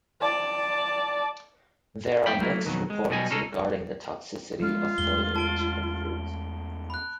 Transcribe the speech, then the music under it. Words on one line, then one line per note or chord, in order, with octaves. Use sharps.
There are mixed reports regarding the toxicity of foliage and fruit.
D5 A5
E2 G5 B5
F#3 A3 A#3 E4
F2 B2 D#3 F#3
G#3
B1 B2 G3 D#5 G#5
C2 G#3 C#4 D#4 A4
F3 G#3 F4
E2 A2 G#3 G7
A5 D7 G7
B5 F#6